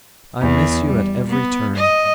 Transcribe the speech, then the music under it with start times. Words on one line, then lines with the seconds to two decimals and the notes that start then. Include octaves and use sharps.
'I miss you at every turn.
0.41 E2
0.85 G3
1.28 B3
1.77 D#5